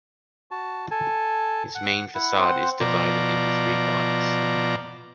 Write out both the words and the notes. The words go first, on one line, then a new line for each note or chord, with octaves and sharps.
This main façade is divided into three bodies.
F#4 A5
A4 G#5 A5
F#5
E4 F#5
C4 C5 F#5
B2 F3 D5 A#5